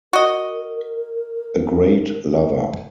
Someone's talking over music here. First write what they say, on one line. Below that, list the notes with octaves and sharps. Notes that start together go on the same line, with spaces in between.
A great lover.
F#4 A#4 D#5